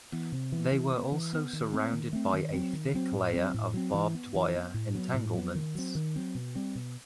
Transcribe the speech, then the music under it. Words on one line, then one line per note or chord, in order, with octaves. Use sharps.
They were also surrounded by a thick layer of barbed wire entanglements.
E3 B3
C3
E3 B3
E3
B3
E3
B3
D#3
A3 C4
D#3
A3 C4
D#3
F#3 C4
D#3
F#3 C4
A2
F#3 C4
A2
F#3 C4
E3
B3
E3
B3
A2
F#3 B3
A2
F#3 B3
D#3
F#3 C4
D#3
F#3 C4
B2
G3 C4
B2